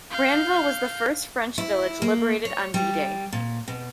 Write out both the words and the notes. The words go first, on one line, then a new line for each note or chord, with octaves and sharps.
Ranville was the first French village liberated on D-Day.
F5 G6
E4
A#3
C#5
G3
A#2
B2